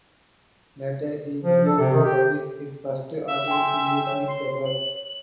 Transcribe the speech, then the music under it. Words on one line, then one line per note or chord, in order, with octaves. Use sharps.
Later he began to publish his first articles in this newspaper.
F3
A4
C3
D#3
G4
E5
G5 G#5 C6
G5
C#5
C6
F#7